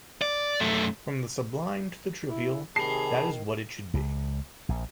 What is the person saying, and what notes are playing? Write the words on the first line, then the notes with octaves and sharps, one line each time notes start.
From the sublime to the trivial, that is what it should be.
D5
F#2 A3
E4
C3 D#3 G4 G#4 A5 B5 C7
C#2
A#1